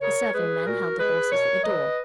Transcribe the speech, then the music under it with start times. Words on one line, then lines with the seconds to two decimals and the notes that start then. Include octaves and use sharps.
The serving-men held the horses at the door.
0.01 C#3 A#4 C#5
0.33 G#3 G#4 B4
0.66 A#2 F#4 A#4
0.98 G#3 G#4 B4
1.31 B2 A#4 C#5
1.64 F#3 B4 D#5